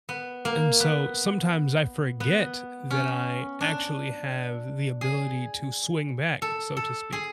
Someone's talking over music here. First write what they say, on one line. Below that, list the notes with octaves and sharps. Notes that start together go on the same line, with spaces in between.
and so sometimes I forget that I actually have the ability to swing back, so to speak.
B3
A#3
B3
B3
C#4
D4
G#4
A4
A4
G#4